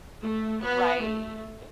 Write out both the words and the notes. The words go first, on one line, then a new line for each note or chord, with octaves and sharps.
Right, eh
A3
B3
A3